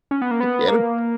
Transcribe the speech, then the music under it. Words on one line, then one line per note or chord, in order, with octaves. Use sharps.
I can't
C#4
B3
A#3
B3
A#3